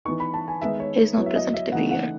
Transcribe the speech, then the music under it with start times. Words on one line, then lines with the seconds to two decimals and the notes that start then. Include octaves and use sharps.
It is not presented every year.
0.05 E3 B3 D#4 C#6
0.20 B5
0.34 A5
0.48 G#5
0.61 D#3 G#3 B3 D#4 E5
0.80 C#5
1.17 F#3 B3 E4 C#5
1.26 E5
1.36 D#5
1.54 E5
1.72 C#3 E3 A3 D#4 F#5
1.91 F#5